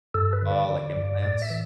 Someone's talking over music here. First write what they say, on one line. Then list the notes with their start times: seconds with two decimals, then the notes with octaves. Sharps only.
Oh, like implants?
0.14 G2 A4
0.33 B4
0.42 D3
0.51 D5
0.69 D3
0.96 G2
1.23 A2 D5
1.42 E5
1.50 E3